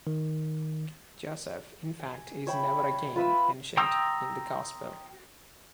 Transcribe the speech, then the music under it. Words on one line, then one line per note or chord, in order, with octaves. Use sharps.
Joseph, in fact, is never again mentioned in the Gospel.
D#3
G#5
C#5 E5 G5 B5
F4 B4 E5 E6
G5 A#5 C6 D#6 E6